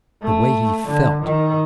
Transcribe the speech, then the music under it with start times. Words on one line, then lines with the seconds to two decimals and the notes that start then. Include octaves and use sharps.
The way he felt.
0.22 A3
0.88 D3
1.23 D#3